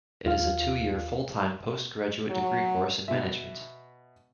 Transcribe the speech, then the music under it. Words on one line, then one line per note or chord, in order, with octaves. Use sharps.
It is a two-year full-time post-graduate degree course in management.
D#2 F4 F5
F#3
B2 E5